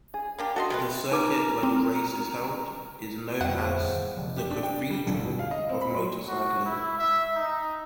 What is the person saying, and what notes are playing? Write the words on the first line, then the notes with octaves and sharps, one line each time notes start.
The circuit where the race is held is known as "The Cathedral" of motorcycling.
G#4
A#3 D4 G4
F#4 A4 D#5 C6
C3 E4 B4
D#4 A#4 B4 D6
C4
F2 D3 G3 B3 E5 F#5 G5
G#4 C5 F5
A2 D#3
F1
G4
D4
G5
G3
G1
B2
F5
D#5
C4
B5
F#3
F#4
E4
E5
D#4